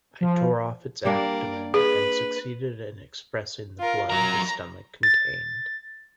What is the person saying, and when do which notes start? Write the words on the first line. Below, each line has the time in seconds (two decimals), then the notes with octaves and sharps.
I tore off its abdomen and succeeded in expressing the blood the stomach contained.
0.21 F3
1.05 G3 A#3 D4 A#4 D5
1.74 G#4 B4
3.80 F4 A#4
4.10 F#3 A#4 A#5
5.03 A6